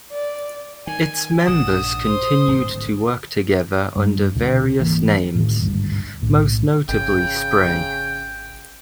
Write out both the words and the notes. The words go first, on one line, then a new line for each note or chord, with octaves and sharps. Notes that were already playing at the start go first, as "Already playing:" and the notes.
Its members continued to work together under various names, most notably Spray.
D5
D#3 G#5
A#1 G#2 D3 F#5 D#6 E7
C5
D1 G#1 D2
G2
D2 B2 D3
G#1 E3 A#3
A2 D#3
G#1 D2 G2
B1 A2
G#1 C#3 G5